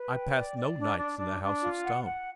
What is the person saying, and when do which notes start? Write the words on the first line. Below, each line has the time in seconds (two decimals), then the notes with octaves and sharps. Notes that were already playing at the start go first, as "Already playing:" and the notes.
"I passed no nights in the House of Stone."
Already playing: B4
0.14 G5
0.36 D5
0.57 D5
0.78 D4
0.98 D4
1.19 D4
1.41 D4
1.62 F4
1.83 F#5
2.04 F#5